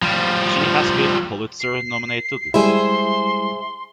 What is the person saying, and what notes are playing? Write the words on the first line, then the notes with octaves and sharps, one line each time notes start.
She has been Pulitzer-nominated.
F3 G3
C7
G3 G#3 E4 G#4 C5 E5 C6